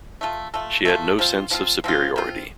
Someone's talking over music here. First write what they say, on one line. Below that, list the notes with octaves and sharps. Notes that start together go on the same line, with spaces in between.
She had no sense of superiority.
A3 F4 A4
A3 F4 A4
A3 F4 A4
F3 C4 F4
F3 C4 F4
F3 C4 F4
F3 C4 F4